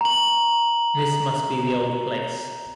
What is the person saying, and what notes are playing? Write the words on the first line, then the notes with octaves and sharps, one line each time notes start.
This must be the old place.
A#5 F#7